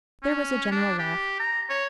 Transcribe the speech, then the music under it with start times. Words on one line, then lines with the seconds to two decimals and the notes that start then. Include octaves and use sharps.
There was a general laugh.
0.23 C#4
0.71 D4
0.99 G4
1.40 A#5
1.69 C#5